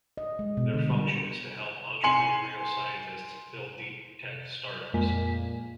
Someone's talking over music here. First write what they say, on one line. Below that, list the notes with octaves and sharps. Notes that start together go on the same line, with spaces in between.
Their function is to help entrepreneurial scientists build Deep Tech startups.
D#5
G#3
B2
D3
G3
G#5 C6 C#7 F#7
F2 A#2 G#3 A#3 G#5 B6